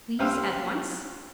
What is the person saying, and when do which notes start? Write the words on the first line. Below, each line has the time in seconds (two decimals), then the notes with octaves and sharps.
Please, at once?'
0.19 C2 G4 B4 C5 F5 E6